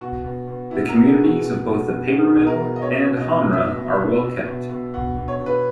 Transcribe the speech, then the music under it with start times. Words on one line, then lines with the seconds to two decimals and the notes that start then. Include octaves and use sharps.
The communities of both the papermill and Hamra are well kept.
0.01 B2 F#4
0.24 B2
0.48 B2
0.71 B2 E4
0.89 A#4
0.94 B2
1.06 G#4
1.18 B2
1.24 F#4
1.41 B2
1.66 B2
1.88 B2
2.12 B2 G#4
2.36 B2
2.47 A#4
2.59 B2
2.76 D#5
2.82 B2 C#5
3.06 B2
3.17 D#5
3.29 B2
3.53 B2 E5
3.75 B2
4.00 B2
4.23 B2
4.46 B2
4.69 B2
4.94 B2 F#5
5.17 B2
5.28 C#5
5.40 B2
5.46 B4